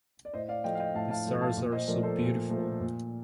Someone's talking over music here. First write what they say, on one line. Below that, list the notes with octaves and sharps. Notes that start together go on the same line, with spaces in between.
The stars are so beautiful.
D5
A2 C5 D#5
D5 F5
F3 A3 D#5 G5
F5
D#5 G5
A2 F5 A5
F5 A5
F3 A3
F5 A5
A#2
C5 D#5
F3 A3 A#4 D5
A4 C5
A#2
F3 A3
A#2